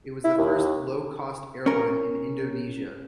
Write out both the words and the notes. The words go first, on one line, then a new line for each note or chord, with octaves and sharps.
It was the first low cost airline in Indonesia.
E4
D#2
C#4 A#4